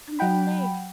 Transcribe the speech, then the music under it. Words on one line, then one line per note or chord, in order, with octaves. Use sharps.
And the legs!...
F#3 F#5 G5 B5